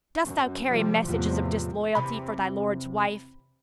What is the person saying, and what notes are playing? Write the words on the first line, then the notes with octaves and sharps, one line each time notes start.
Dost thou carry messages of disloyalty for thy lord's wife?
F#2
C3 F3 G3
E2 A2 C3 F3
E2 C3 B5